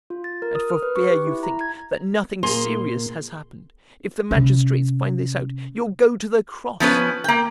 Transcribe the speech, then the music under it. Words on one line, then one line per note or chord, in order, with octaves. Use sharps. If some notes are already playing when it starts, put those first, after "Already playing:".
And for fear you think that nothing serious has happened, if the magistrates find this out you'll go to the cross!
F4
A6
A#4
D#6
F6
B4
C#6
G4
E4
A#5
G#6
A#2 A#3 G#4 C6
C3 C#4
F3 B3 C#4 B4
A#3 G5